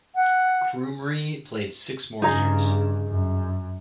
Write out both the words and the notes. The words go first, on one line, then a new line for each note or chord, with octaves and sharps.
Krumrie played six more years.
F#5
G2 C#3 D#4 G#4 A#5
F#2